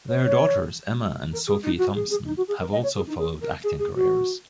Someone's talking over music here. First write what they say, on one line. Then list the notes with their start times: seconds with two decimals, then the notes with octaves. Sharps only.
Their daughters Emma and Sophie Thompson have also followed acting careers.
0.08 C#5
0.24 C#5
1.33 A#4
1.47 G#4
1.63 D#4
1.78 F#4
1.95 G#4
2.10 G#4
2.25 D#4
2.37 F#4
2.48 G#4
2.60 A#4
2.72 D#5
2.83 C#5
2.95 G#4
3.07 D#4
3.18 G#4
3.41 A#4
3.64 G#4
3.79 G#4
3.95 F#4